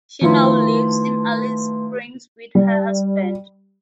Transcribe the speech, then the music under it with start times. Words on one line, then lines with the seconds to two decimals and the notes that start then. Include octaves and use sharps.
She now lives in Alice Springs with her husband.
0.21 D#3 F3 A3 E4 B4 C6
2.55 G3